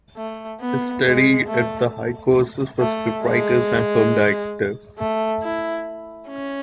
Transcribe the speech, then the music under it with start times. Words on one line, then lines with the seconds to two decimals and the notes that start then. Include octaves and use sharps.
She studied at the High Courses for Scriptwriters and Film Directors.
0.16 A3
0.60 B3
1.04 G#3
1.48 A3
2.79 A3
3.23 G#3
4.98 A3
5.43 E4
6.29 C#4